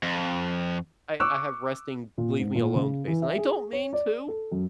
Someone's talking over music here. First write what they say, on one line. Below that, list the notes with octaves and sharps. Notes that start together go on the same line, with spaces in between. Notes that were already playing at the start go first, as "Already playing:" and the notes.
I I have resting leave-me-alone face, and I don't mean to.
F2
C#6 D6 E6 F#6
A#2
G#2
A#2
C#3
E3
E5
G#4
C#5
D5
A4
F#2